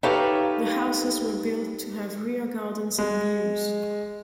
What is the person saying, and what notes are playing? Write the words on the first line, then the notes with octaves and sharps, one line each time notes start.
The houses were built to have rear gardens and mews.
D#4 G4 A4 B4 C#5 F5
G#3